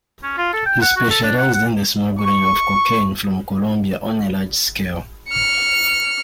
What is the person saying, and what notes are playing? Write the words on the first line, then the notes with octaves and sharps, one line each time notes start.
He specialized in the smuggling of cocaine from Colombia on a large scale.
C#4
F4
A4
G5
F#5
F#4
A4
D4
F#5
F#5
C#6
F6 C#7